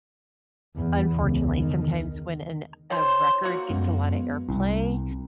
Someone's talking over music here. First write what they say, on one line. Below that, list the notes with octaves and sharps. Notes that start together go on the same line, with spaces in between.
Unfortunately, sometimes when an a record gets a lotta airplay,
E2
C#2
D#3
D#3 C5 C#5 C6
A#3 F#4
F#2 G#3 B3
C2